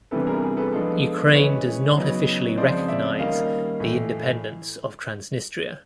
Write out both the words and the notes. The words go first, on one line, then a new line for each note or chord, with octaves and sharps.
Ukraine does not officially recognize the independence of Transnistria.
C3 E3 G3 B3 D4 A4 B4
G#4 A#4
G#4
A4 B4
F3 G#3 B3 D4 A4 B4
E3 G#3 C#4 B4 C#5
C#3 F#3 B3 D#4
C#3 F3 G#3 C4 D#4 C5 D5
D5 E5
D#3 G3 A#3 C#4 D#5 F5
A2 E3 A3